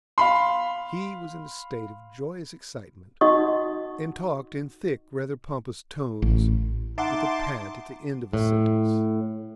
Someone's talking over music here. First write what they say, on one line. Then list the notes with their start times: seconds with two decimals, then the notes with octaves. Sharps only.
He was in a state of joyous excitement, and talked in thick, rather pompous tones, with a pant at the end of a sentence.
0.18 F5 B5 C6
3.21 D#4 F#4 D#5 F#5 C#6 D#6
6.22 A1
6.98 D#4 E5 F#5 A5 C6 D6
8.33 A2